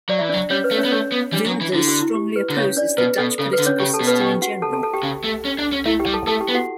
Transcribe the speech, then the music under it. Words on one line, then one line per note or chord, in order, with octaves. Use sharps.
Wilders strongly opposes the Dutch political system in general.
F#3 D5
E3 E5
F#3 D4 D5
G3 C#4 C#5
B4
A3
C#4 C#5
B3
A3 C#4 C#5
B3
G3 D4
F#3
D4
E3
D3 E4
F#4
E4
G4
B4
D3
C#3 C#4 C#5
D4 D5
B2 B4
B2 A4
C#3 A4
B4
D3
C#4 C#5
C#3 G4 G5
A4 A5
B2
B4 B5
G4 G5
F#4 F#5
A4 A5
A4 A5
A4 A5
G4 G5
C#3
A3
C#4
D4
C#4
A3 E4 E5
G4 G5
G3
A4 A5
A3 A4 A5
G4 G5
B3
F#4 F#5